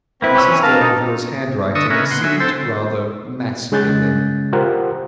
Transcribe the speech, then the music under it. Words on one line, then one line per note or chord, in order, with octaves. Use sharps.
Mrs d'Urberville's handwriting seemed rather masculine.
A#3 C4 E4 B4
C#4 G4 E6
E3 G#5
C4 D4 A#4 F5 A5 A#5
D#4
D3 D#5 C#6 D#6 E6
C#3 B3 C#4 A#4 E5
F#5 C6
F#3 E5 G#5
C4 A4 C5 E6
C#3 G#3 C#4 F#6 G6 A6
F4 G4 A#4 C5 F#5